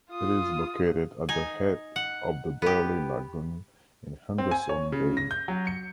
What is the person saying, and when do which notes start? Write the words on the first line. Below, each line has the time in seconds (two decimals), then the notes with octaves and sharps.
It is located at the head of the Burley Lagoon in Henderson Bay.
0.11 F4 D#6
1.29 D#4 G#5
1.96 F#5
2.62 B3 G4
4.38 C4
4.51 G#5
4.69 C#5
4.92 C#3
5.17 A#6
5.31 G6
5.48 F#3
5.67 C#7